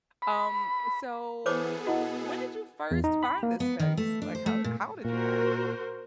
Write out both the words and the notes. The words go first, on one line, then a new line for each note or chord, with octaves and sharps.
Um, so, w when did you first find this space? Like, how how did you find it?
B5
E3 B3 G#4 A4 C5 C#5 D6
B2 E4 F#4 D#5 F#5
E2
D#4
B5
A#3
B3
D#3
A3
D4
C5
A3
A#2
A#2 F#4 A#4 C5